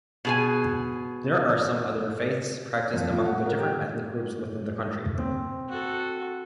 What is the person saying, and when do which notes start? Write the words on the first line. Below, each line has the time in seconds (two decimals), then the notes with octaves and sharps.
There are some other faiths practiced among the different ethnic groups within the country.
0.25 B2 G#4 G#5
2.94 F2
3.10 F3
3.26 F#5
3.46 A#4
3.59 G4
5.18 C4
5.69 F#4 A4